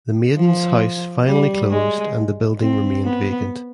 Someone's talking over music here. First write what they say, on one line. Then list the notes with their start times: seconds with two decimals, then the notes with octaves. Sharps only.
The Maidens’ House finally closed and the building remained vacant.
0.36 F3
1.25 G3
1.70 G#3
2.60 C4
3.04 B3